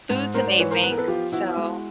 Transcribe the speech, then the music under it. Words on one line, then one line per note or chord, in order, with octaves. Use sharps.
Food's amazing, so
G#2
G#2 A#4 C5
C5 D5
E3 B4 C#5
A#4 C5
B3 B4
A#4
A4 B4
F3 F4 G4
B3 E4 F#4
G#3